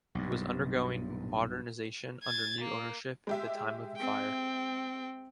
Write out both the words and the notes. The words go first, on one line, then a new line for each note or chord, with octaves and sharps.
It was undergoing modernisation under new ownership at the time of the fire.
B1 G2
G#6 A6
A#3
G#3 G4 E5
C4 G5